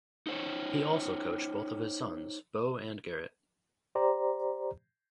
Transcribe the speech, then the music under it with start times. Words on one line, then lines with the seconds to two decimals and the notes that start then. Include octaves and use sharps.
He also coached both of his sons, Bo and Garrett.
0.27 D#4 C5 C#5
3.95 G4 C5 D5 A#5